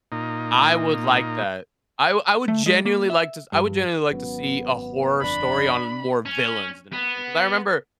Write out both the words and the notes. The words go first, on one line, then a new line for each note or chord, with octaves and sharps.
I would like that. I wou I would genuinely like to s I would genuinely like to see a horror story on more villains than anything, 'cause I remember
A#2 D#4
A3
G#3
A#3
E5
G2
G#1 F#3 B3 C#4
G1 F2 D4 B5
C#4
B3